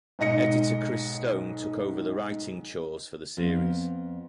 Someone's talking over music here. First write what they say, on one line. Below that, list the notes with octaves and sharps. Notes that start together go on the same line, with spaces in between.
Editor Chris Stone took over the writing chores for the series.
B1 G#2 D#5 A#6 C#7
F2 B3